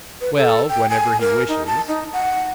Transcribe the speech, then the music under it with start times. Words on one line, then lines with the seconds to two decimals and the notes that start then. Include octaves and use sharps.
"Well, whenever he wishes?"
0.21 B4
0.37 A4
0.69 G5
0.90 G#5
1.21 A#4
1.49 D#4
1.67 A5
1.88 D#4
2.13 F#5